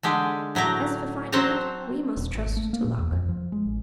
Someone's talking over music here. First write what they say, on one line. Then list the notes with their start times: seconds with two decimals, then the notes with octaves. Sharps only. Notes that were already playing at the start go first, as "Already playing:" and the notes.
"As for finding it, we must trust to luck."
0.03 D3 G#3 G4
0.55 A2 F#3 G4 A#5
1.32 F#3 C4 C5 F#5 A5 A#5
2.17 D#1
2.35 G#1
2.57 A3
2.73 A#3
2.84 A#2
2.98 E2
3.12 F2
3.29 F3
3.52 G#3
3.65 A1